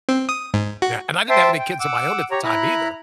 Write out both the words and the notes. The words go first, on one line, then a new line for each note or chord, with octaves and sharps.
Yeah, and I didn't have any kids of my own at the time either,
C4
D#6
G#2
F#4
C5 E5 G5 A5 C6
G5
F#5 D6 E6
G4 C#5 A#5
E4 A#5 B5 F#6